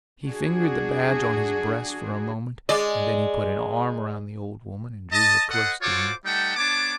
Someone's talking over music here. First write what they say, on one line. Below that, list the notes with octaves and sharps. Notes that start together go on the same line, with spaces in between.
He fingered the badge on his breast for a moment, and then he put an arm around the old woman and drew her close to him.
D4 F#4 G#4
G#3 D5
D#5 A5
A4 C5 D#5 F#5
F4 F#4 A4 C5 C#5 D6
G3 A3 D#4 F#5 G5 A5
B3 D4 C#5 A5 D6